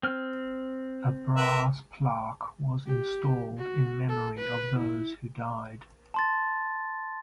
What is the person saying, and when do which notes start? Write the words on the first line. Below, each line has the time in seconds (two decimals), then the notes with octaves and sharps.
A brass plaque was installed in memory of those who died.
0.03 C4 F6
1.36 A#4 B4 E5
2.87 G4
3.57 F#4
4.09 A4
4.38 B4
4.79 E4
6.14 A5 C6 A6